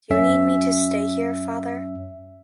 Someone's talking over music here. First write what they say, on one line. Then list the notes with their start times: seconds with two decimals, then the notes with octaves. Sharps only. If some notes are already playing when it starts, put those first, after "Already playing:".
Do you need me to stay here, father?
0.10 F#2 C#4 E5